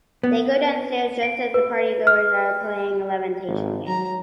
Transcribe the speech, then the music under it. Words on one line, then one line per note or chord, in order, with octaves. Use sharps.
They go downstairs just as the party-goers are playing a levitation game.
B3
D7
B4
F6
G#1
F#3 A#5